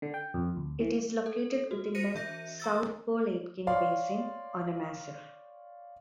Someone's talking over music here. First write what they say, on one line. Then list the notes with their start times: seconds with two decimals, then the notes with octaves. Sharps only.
It is located within the South Pole-Aitken basin on a massif.
0.02 D3
0.14 G5
0.34 F2
0.56 D2
0.80 E3
1.26 A4
1.71 F#4
1.95 C5 A#6 C#7 D#7
2.15 E3 E5 G6 A#6
2.60 A#5 E6 A6
3.67 C#5 D5 F5 C6